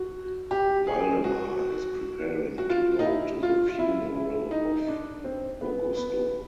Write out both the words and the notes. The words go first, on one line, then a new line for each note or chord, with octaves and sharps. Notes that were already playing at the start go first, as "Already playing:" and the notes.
Valdemar is preparing to go to the funeral of Augusto.
Already playing: F#4
G4
G#4
F#4
F#4
F4
D#4
E4
F4
F4
E4
E4
D#4
D4
C4
B3
B3